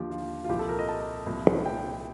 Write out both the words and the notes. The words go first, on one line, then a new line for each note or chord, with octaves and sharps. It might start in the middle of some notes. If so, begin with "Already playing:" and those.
Ford introduced flexibility into mass production, so that Fordism could continue to evolve.
Already playing: D#2 D3 F3 F4 G4
F4
F4
C2 A#2 F3 G4
A4
A#4
D#5
A5
C2 A#2 F3
G5